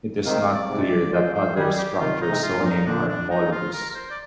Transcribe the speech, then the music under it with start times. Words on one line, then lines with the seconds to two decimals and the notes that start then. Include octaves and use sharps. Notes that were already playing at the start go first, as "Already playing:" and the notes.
It is not clear that other structures so named are homologous.
0.25 C3 D#3 F5
0.54 D5
0.68 G#2 C3
0.83 D5
1.12 F3 G#3 C5
1.34 C5
1.56 D#3 G3 G#4
1.77 G4
1.99 C3 D#3 F4
2.21 D#4
2.28 G#2 C3
2.43 F4
2.57 G2 A#2
2.65 D#4
2.86 A#2 D3 D4
3.08 D4
3.30 D#4
3.52 F4
3.73 A#4
3.90 A#4
3.95 C5
4.10 D5